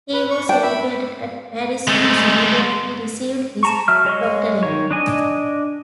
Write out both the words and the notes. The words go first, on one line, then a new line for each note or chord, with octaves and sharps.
He was educated at Paris University, where he received his doctorate.
B4
C#6
D4 G5
E5 B5
G#3 A3
A5 A#5 C#6
F#3 E5 F6
G#3 C#5 D#5 C#6
D#3 C#5
D4 D#5 G#5